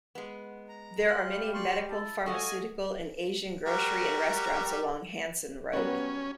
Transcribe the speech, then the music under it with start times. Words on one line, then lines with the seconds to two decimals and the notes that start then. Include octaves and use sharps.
There are many medical, pharmaceutical and Asian grocery and restaurants along Hanson Road.
0.15 G#3 B3
0.69 A#5
1.09 G3 F5 C6 F#6
1.54 D5 C6 C#6
1.91 E4 A5
2.26 F#4 A4 D#5 F5 F#5 G#5 F6
3.66 G3 F#4 A#4
5.73 F#3 G3 B3 C#4 F#5